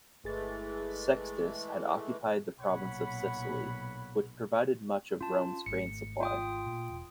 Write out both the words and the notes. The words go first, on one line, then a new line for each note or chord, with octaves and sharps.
Sextus had occupied the province of Sicily, which provided much of Rome's grain supply.
G1 E3 G#3 A3 G#4 A6
B1 A#2 C#5 F#5 B5
C#4 F4 A5
G#1 A3 C#7
F4 G5 D#6
A#2
E1